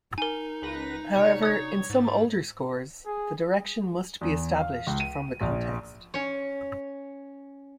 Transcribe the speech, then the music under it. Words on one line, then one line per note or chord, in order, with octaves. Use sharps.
However, in some older scores the direction must be established from the context.
D#4 A#4 G#5
C#2 B4 A#6
C3 D4 F#4 C#5
D#6 G#6
G#2 A6
G#4
E2
F5
C#2
D#7
A#1
C#4 C#5